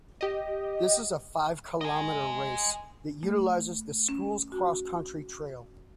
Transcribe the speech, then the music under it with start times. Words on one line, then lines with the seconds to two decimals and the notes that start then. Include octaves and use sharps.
This is a five kilometre race that utilises the school's cross country trail.
0.21 G4 D#5
1.81 D#5 G#5
3.23 A3
4.09 C#4
4.52 F#4